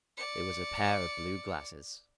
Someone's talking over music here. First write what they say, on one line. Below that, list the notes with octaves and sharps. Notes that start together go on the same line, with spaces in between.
It was a pair of blue glasses!
D5 C#7